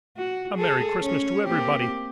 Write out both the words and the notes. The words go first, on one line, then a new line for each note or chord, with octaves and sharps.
A merry Christmas to everybody!
F#4
G#4 A4
C#4 C#5
A#3 C4 G4